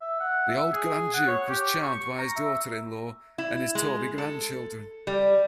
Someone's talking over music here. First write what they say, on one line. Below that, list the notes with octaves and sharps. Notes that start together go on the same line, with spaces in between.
The old grand duke was charmed by his daughter-in-law and his Torby grandchildren.
E5
F#5
E5
G#4
F#5
C#5
G4
C#6
A#5
E5
E4
G#3
A4
G3